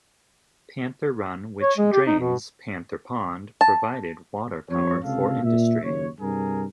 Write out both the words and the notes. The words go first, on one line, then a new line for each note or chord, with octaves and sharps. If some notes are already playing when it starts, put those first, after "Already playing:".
Panther Run, which drains Panther Pond, provided water power for industry.
C#5
G#3
G4
D#4
B2
A5
F2 C#5
C#2 C3 A4 F5
A#2 E5
F#1 D#2 C#5
C2 G2 G#4 A#4